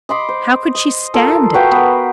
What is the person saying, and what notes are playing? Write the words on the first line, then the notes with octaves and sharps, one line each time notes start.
How could she stand it?
D#5 B5 C6 D6
C5
D#5
F4 A4 A#4
F#4 B4 F5 G5
B3 A#4